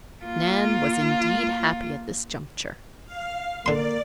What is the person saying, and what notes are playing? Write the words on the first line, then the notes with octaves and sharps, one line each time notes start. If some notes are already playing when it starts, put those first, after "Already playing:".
Nan was indeed happy at this juncture.
A#3 F4
F5
D3 A#3 D5 C6